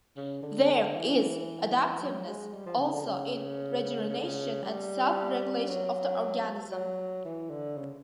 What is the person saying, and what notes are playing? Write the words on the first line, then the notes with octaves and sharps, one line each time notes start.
There is adaptiveness also in regeneration and self-regulation of the organism.
C#3
D3
E3
F#3
G#3
G3
F3
C#3
D3
C#3
C#3
D3
C#3
G3
F#3
F#3
E3
D3
C#3